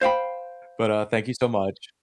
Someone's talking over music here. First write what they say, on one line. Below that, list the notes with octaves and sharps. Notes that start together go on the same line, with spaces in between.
But, uh, thank you so much
C5 F5 G5 B5